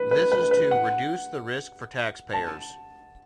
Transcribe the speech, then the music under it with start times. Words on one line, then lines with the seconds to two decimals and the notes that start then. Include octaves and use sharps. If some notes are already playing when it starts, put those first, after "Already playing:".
This is "to reduce the risk for taxpayers".
Already playing: B4
0.11 B4
0.32 B4
0.51 B4
0.71 F#5
2.33 A5